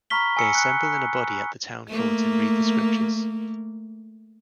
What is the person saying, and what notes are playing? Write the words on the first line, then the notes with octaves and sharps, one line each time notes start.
They assemble in a body at the Town Court and read the scriptures.
A#5 B5 C#6 F6 B6 G7
G#5 B5 E6 C#7
F#6 C#7
A3 A#3